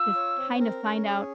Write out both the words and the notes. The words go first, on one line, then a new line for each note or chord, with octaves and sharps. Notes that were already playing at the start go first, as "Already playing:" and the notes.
if kinda find out
Already playing: F4 E6
C#5
C4
A#4
C#4
G#4